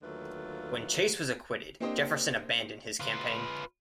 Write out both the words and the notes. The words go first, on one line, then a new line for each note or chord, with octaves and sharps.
When Chase was acquitted, Jefferson abandoned his campaign.
D#2 D3 F#3 A3 F4 B4
A#3 C4 D4 G4 C5 D#5
F4 B4